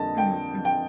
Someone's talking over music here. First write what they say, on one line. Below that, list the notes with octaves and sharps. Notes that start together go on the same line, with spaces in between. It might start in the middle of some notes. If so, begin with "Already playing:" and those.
Mhm, mhm.
Already playing: F2 D3 G3 A#3 D#5 A5
G5
G5